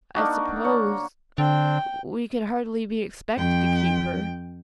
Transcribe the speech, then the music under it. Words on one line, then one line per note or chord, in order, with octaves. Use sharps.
"I suppose--we could hardly be expected to keep her."
A#3 D4 D#4 F#4
D3 C#5
D3 C4 D4 G5
F2 G5